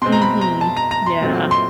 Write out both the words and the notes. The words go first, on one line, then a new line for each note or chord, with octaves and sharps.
Mhm. Yeah.
B2 G#3 C4 C6
A#5
B5
A#5
A5
A#5
A#5
C6
A#2 F#3 A3 C4
C6